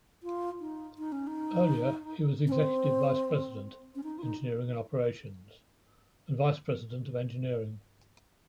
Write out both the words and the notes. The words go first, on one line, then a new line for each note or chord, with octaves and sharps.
Earlier, he was Executive Vice President, Engineering and Operations; and Vice President of Engineering.
F4
D#4
D#4
C#4
D#4
C#4
C4
C#4
D#4
F4
D#4